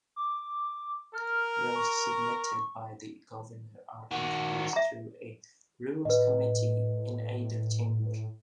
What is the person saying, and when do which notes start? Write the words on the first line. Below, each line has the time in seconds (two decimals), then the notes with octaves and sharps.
Bills submitted by the governor are introduced through a Rules Committee in either chamber.
0.16 D6
1.14 A#4 F6
1.75 C#6
4.11 D#3 F#4
4.73 E5 A#5
6.05 A2 B4 D#5